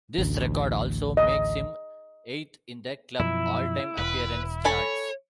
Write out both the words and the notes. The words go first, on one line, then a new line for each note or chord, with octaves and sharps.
This record also makes him eighth in the club's all-time appearance charts.
A1 D2
D#5
F#2 B2 F3 E4
E1 B4
A4 C#5 G#5 B5